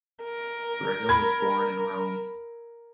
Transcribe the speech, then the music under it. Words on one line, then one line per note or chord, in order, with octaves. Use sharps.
Brega was born in Rome.
A#4
B5 G#6